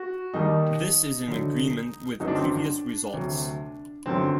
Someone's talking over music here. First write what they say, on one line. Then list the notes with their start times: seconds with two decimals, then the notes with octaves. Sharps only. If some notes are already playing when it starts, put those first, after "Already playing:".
This is in agreement with previous results.
Already playing: F#4
0.33 D#2 D#3 G3 D#4
1.27 D2 D3 F#3
2.20 G1 F#2 F#3 D#4
2.28 D4
2.34 C4
2.42 D4
3.13 D2 C3 F#3
4.06 G1 F#2 D3 F#3 C4